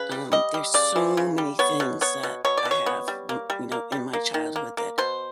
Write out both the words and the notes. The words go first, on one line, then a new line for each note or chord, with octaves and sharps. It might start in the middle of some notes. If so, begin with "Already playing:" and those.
um, there's so many things that I have r you know, in my childhood that
Already playing: C#3 B4
G3
G3 D#5
G3
C#3 D5
E3
C#3
G3
B3 C#5
B2
B3 C#5
B2
B2 C#5
D5
B2
C#5
B3
G3
A#3
G3
A#3
G3
A#3
D#3
A#3
A#3
B2 C5